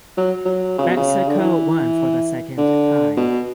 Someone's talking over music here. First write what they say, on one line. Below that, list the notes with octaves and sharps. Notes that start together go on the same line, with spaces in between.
Mexico won for the second time.
F#3
F#3
C#3
B2
C#3
D3
E3
D3
B2